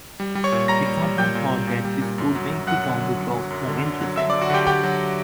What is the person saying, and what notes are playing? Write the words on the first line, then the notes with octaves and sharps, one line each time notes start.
The company thought that this would make the zombie trope more interesting.
G3
G3
C#5 C#6
A#2
G3 A#5 A#6
G3
G3
A#2 G5 G6
A#2
G3
A#2
G3
A#2
F#2
F#3
F#2
F#2 F#5 F#6
D3
F#3
F#2
F#3
F#2
D3
D3
F#3
D3 E5 E6
D5 D6
D3
F#4 F#5
D3 G4 G5
D3 G4 G5
F#3